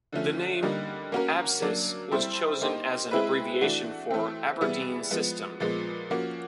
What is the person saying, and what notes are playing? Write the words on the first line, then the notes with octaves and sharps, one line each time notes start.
The name "Absys" was chosen as an abbreviation for "Aberdeen System".
D3 F3 A3 C#4
D3 G3 A#3 D#4
A#3 C#4 F#4 A#4
F#3 A#3 D4
G3 C4 E4 A4 C5
A#3 D#4 G4 C5
G#3 C4 E4 G#4 B4
E3 A3 D4 F#4
E3 A3 C4
E3 G3 B3 E4 G#4
F3 G#3 B3
A#2 F3 G#3 B3
F3 A#3 C#4 F#4